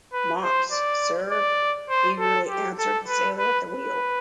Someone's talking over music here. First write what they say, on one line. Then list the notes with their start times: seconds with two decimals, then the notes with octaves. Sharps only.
Mops, sir, eagerly answered the sailor at the wheel.
0.13 B4
0.42 C5
0.71 D5
1.31 D5
1.89 C5
2.19 A4
2.49 G4
2.78 A4
3.08 B4
3.38 B4
3.67 B4